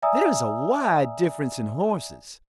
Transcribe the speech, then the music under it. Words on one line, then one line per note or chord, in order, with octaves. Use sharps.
There is a wide difference in horses.
D5 E5 G#5 A#5 D#6 E6